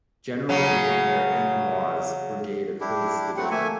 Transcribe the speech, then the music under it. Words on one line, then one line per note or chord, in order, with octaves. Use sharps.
General Evander M. Law's brigade of Hood's division.
C#3 F#3
D4 E4 G4
F#3 A3 C4 F#5
A3 A#3 E5 G#5